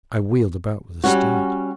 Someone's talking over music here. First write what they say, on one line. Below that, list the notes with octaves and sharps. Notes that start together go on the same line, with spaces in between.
I wheeled about with a start.
G3 C#4 F#4